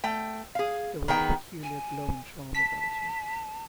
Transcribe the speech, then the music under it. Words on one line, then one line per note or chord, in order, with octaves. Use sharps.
There was a peculiar glow and charm about him.
A3 G5
G#4 F5
D#3 B3 G#4 G5 A#5
G#5
A5 B6